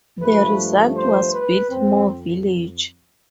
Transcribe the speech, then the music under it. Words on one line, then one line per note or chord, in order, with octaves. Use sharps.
The result was Biltmore Village.
G2 F3 A3 B4
C5
B4
F2 C4